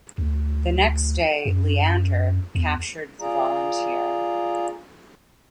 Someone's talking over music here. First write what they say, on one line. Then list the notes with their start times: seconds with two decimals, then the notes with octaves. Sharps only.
The next day "Leander" captured the "Volunteer".
0.18 D2
1.45 F#2
2.55 E2
3.21 F4 G#4 D5 A#5